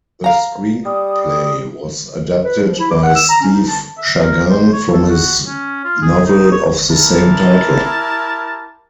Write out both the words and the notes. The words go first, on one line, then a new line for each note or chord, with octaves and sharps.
The screenplay was adapted by Steve Shagan from his novel of the same title.
F5 A#5
G3 D#6
B4
F3
E4
D6
F#5
E6
A#5
C#4
D#4
A5
E5
A#4
C5
C#5
A4
F#4
C#4
F4
G#4
D#4
C#5
E4 G4 A#4 A5